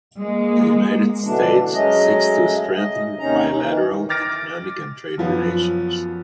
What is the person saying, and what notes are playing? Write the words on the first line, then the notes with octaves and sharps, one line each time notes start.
The United States seeks to strengthen bilateral economic and trade relations.
G#3 A#3
B2 D3 E3 D4
F#3 G#3 A3 C#4 D#5
D#5
D#2 C3 D#3 C#4 D#4 A#5
D#3 E3
D6 F6 A6 A#6 D7
F#2 F3 B3